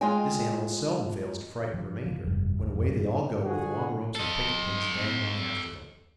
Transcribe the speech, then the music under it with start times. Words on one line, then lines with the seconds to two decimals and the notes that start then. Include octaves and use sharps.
This animal seldom fails to frighten the remainder, when away they all go with long ropes and picket pins dangling after them.
0.01 G#3 F4 G#4 D#5 G5 G#5
1.74 F3
2.06 F3
2.24 F1 G2
2.58 D1
2.76 F2
2.90 G2 C4
3.43 D3 F3 F#4 G#4
4.15 A4 D#5